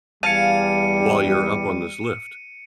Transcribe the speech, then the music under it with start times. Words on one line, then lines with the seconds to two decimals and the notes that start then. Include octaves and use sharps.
While you're up on this lift.
0.23 E2 G3 F5 G#5 A5 C#7 D#7